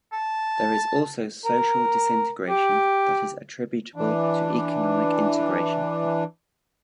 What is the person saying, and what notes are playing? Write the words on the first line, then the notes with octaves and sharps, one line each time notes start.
There is also social disintegration that is attributable to economic integration.
A5
A#4
G4
E3 D4